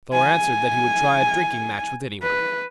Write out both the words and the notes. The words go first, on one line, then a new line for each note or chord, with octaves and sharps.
Thor answered that he would try a drinking-match with any one.
G#5
B4